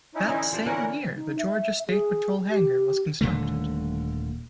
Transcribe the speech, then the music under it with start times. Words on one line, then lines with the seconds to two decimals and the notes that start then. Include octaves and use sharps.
That same year, the Georgia State Patrol Hangar was constructed.
0.15 C#4 D#4 E4
0.28 D3 E3
0.53 F#2 F3 C5 D5
0.66 D3 E3 C#4 A#4 B4 F#5
1.17 D#4
1.38 E5
1.88 G#4
2.49 G4
3.21 D#1 A#2 D3 A3